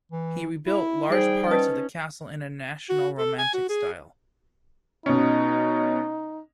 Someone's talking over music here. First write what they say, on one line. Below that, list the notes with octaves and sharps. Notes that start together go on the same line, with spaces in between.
He rebuilt large parts of the castle in a national romantic style.
E3
E4
G3 D#4 G#4 C5 G5
C#4 B4 D#5 A5 D#6
F#4
A4
G#5
F#4
G#4
B2 C#4 D#4